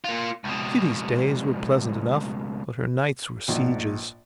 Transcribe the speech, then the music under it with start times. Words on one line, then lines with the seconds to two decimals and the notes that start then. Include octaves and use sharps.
Kitty's days were pleasant enough, but her nights were sieges.
0.05 A#3 F4
0.44 C#2 B2
3.48 A#1 G#2